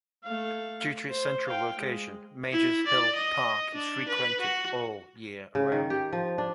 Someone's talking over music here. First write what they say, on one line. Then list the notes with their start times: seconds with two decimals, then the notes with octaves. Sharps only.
Due to its central location, Major's Hill Park is frequented all year round.
0.24 A3 F5
1.09 C5
1.47 F5 G5
1.79 G#3
2.52 E4
2.87 D5
3.15 D#5
3.74 D4
4.08 B4
4.41 F#4
5.55 C#3
5.72 D#3
5.90 G4
6.13 F3
6.38 D4